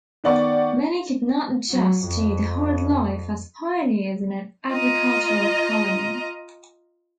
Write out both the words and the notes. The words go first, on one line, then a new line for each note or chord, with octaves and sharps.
Many could not adjust to the hard life as pioneers in an agricultural colony.
D#3 B3 D5 F#5 C#6
F#3
F2
F4 D#5 A#5